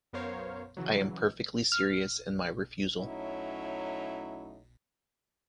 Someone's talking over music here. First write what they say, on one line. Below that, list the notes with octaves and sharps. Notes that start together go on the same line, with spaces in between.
I am perfectly serious in my refusal.
F#2 B3 A#4 C5 C#5 F5
C#3 E3 F#3
F6
F#3 A3 C#4 D#4 E4